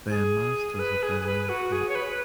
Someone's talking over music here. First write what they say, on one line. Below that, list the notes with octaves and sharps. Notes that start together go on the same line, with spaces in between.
They are masters of their own fate.
G#4
B4
G#4
G#4
B4
F#4
G#4
C#5
B4